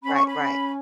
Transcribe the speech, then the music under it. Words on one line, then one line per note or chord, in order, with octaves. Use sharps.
Right, right.
C#4 B5
C#6
B5
C#4